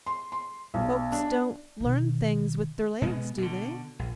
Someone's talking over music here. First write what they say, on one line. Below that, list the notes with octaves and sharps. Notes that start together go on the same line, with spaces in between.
"Folks don't learn things with their legs, do they?"
C6
C6
B1
D4
B2 D#3
B2 G#3 B3
B2 D3
A#1